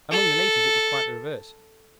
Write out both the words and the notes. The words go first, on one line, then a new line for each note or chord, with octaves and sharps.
Among the natives it was quite the reverse.
A4